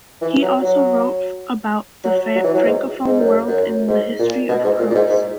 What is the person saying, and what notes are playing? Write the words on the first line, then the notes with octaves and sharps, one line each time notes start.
He also wrote about the Francophone world and the history of Creuse.
E3
F#3
F#3
F#3
F#3
E3
F#3
G#2
G#2
F#2
F#2
G#2
A#2
B2
G#2
A#2
A#2
G#2
G#2